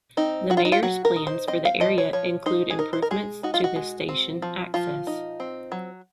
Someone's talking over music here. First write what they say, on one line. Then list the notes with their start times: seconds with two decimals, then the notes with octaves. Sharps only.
The Mayor's plans for the area include improvements to the station access.
0.17 C4 D#4
0.50 F#3 F#4
0.57 F4
0.65 D#4
0.72 F4
0.83 F#3 F#4
1.05 A#4
1.16 D#4
1.27 C5
1.47 C4 D#5
1.65 F5
1.80 F3 D#5
1.98 C#5
2.13 F3 C#5
2.46 D#4 C5
2.70 G#4
2.79 D#4 A#4
2.93 C5
3.02 A#4
3.11 G#3 G#4
3.43 D#4 F#4
3.54 F4
3.64 F#4
3.76 G#3
4.09 C4
4.42 F3
4.74 F3 F4
5.07 D#4
5.40 C4
5.72 F#3